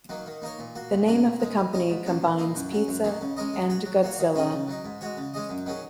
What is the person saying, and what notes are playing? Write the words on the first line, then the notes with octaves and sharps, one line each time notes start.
The name of the company combines "pizza" and "Godzilla".
D#3 F#3 A#3
D#3
A#3 D#4 A#4 C#5
A#2
A#3 F#4
A#2
F#3 C#4 A#4
A#2
G#3 D#4
G#3
C#4 A#4 D#5
G#2
F#3 A#3 C#4
A#2
A#3 D#4
F#2
F#3 C#4
F#2
D#3 F#3 A#3
C#3
G#3 C#4 A#4 D#5
G#3
F#4 C#5
F#3
A#3 F#4 C#5
D#3
G#3 C#4 G#4 D#5
C#3
F#3 D#4
G#2
G#3 F#4 C#5
C#3
G#3 C#4 G#4 D#5
F#2
D#3 F#3 C#4 G#4